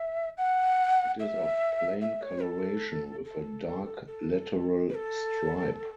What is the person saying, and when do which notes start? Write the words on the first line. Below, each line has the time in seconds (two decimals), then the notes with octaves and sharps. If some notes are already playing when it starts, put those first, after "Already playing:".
It is of plain coloration with a dark lateral stripe.
Already playing: E5
0.38 F#5
1.20 E5
2.01 E5
2.22 C#5
2.42 A4
3.25 A4
4.07 A4
4.90 B4
4.95 A4